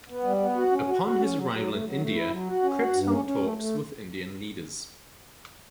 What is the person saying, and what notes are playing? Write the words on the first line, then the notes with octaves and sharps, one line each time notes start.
Upon his arrival in India, Cripps held talks with Indian leaders.
B3
G3
B3
F#4
C#4
F#4
F#4
C#4
F#3
F#3
A3
F#3
A3
E4
F#3
F#4
C#4
F#4
G2
C#4
C#4
A3
A3